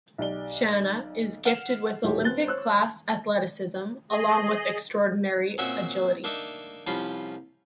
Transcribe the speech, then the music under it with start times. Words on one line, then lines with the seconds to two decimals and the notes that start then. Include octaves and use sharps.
Shanna is gifted with Olympic-class athleticism along with extraordinary agility.
0.18 B1 G4 D5 G7
1.45 F#5 F6 C7 E7 F7
2.04 D#1 A1 D#3 F#4 G4 C#5
2.24 B3 C4 F#6 A6 G7
2.46 C5 C#5 E6 F#6
4.11 G#4 D#5
5.58 A#2 C4 C#4 F#4 E5 C#6
6.24 A#3 D4 D#4 E5
6.87 C2 F3 C#4 F4 B5 C6